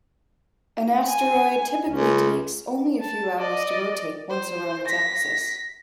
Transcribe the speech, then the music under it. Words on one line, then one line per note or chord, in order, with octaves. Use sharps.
An asteroid typically takes only a few hours to rotate once around its axis.
G#5
C#2 C#4
A5
D5 D#5
C5
A#6 B6